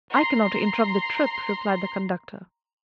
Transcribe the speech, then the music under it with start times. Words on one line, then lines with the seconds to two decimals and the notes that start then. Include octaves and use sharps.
"I cannot interrupt the trip," replied the conductor.
0.11 A#5 C6 C7